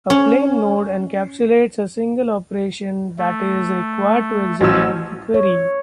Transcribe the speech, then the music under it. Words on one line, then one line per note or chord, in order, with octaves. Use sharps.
A plan node encapsulates a single operation that is required to execute the query.
C#4
A3
A1 F3 F#3 C#4 E6
C#5